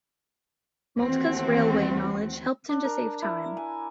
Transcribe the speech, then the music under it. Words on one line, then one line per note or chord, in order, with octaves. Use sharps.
Moltke's railway knowledge helped him to save time.
D#2 E3 A3 C4 F#4
D4
A#4
E4
G#5